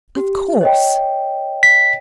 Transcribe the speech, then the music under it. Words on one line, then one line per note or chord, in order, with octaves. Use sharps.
"Of course."
G4
C#5 D#5 G5
B6